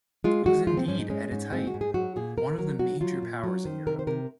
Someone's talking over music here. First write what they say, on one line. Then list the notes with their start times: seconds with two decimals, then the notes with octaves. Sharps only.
It was indeed, at its height, one of the major powers in Europe.
0.24 G#3 F4
0.46 G#3 F#4
0.67 F3 F4
0.77 C4
0.88 G#2 C#4
0.99 D#4
1.10 G#3 C#4
1.31 G#2 C#4
1.53 G#3 C4
1.67 F#4
1.74 G#2
1.81 G#4
1.94 F#3 F#4
2.16 A#2 G#4
2.37 A#2 A#4
2.58 F#3 A#4
2.79 F#3 F#4
3.01 F#3 F4
3.23 A#2
3.43 F#3
3.65 D#3 C5
3.87 C3 A#4
3.99 C5
4.07 C3 A#4